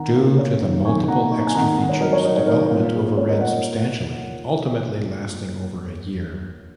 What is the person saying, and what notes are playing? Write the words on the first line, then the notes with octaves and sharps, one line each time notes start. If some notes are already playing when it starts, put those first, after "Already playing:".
Due to the multiple extra features, development overran substantially, ultimately lasting over a year.
Already playing: D#3 F#5 A#5
A#3
C#4
D#3
D#3 G#5 C#6
A#3 F#5 A#5
D#4 C#6
A#5
G#5
D#3 F#5 A#5
D#3 F#5 A#5
C#5 F#5
F#3 A#4 D#5
C#5
D#4 D#5
C#5
D#3 A#4
C#5
A#2
G#3
C#4 C#5
A#4 D#5
A#2 C#5 F#5